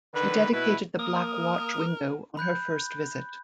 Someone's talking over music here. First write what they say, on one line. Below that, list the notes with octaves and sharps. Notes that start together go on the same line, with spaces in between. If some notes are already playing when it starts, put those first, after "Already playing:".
She dedicated the Black Watch window on her first visit.
D3 D#3 B4
B2 E4 B4
A#3 A#4 D#6
B5 F#6 G6